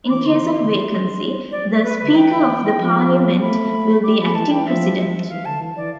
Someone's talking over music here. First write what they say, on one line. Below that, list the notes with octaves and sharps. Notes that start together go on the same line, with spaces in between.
In case of vacancy, the Speaker of the Parliament will be acting President.
E3 D6
D3 C6
E3
D3
E3
D5
B4
D3 B4
E3 G5
F3
A3 B5
G3 D6
F3 B5
E3 A5
E3 G5
F3 E5
F3
E3 F5
D3 A5
E3
E3 D5